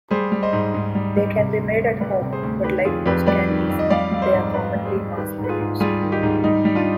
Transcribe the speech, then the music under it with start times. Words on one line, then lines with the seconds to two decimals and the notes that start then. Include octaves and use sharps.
They can be made at home, but like most candies, they are commonly mass-produced.
0.11 G3 G#4 C5
0.32 G3
0.42 C5 D#5
0.53 G#2
0.74 G#2
0.95 G3
1.17 G3
1.37 C3
1.59 D2
1.80 D2
2.01 G3 B4 D5
2.22 C3
2.32 G#4 C5
2.43 D2
2.64 D#3 G4 B4
2.85 F2 F4 G#4
3.06 F2 G4 B4
3.27 G3 B4 D5
3.48 D#3
3.70 F2
3.79 D#5
3.90 G3 D5 F5
4.11 G3 F5
4.22 C5 D#5
4.33 G#2
4.54 G#2 B4 D5
4.75 G3
4.85 G#4 C5
4.96 G3
5.17 D#3 G4 B4
5.38 G#2
5.44 B4
5.49 F4 G#4
5.59 G#2
5.80 G3 F4 G#4
6.02 D#3
6.12 D#4 G4
6.23 G#2
6.44 G3 D#4
6.65 G3
6.75 D4 F4